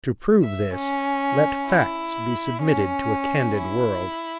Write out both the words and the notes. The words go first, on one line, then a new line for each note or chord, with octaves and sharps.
To prove this, let Facts be submitted to a candid world.
E5
C#4
E4
C#4
E4